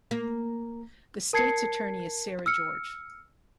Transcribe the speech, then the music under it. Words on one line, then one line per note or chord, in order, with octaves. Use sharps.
The state's attorney is Sarah George.
A#3
A#4 A5 G#6 C7 C#7
E6 F6 C#7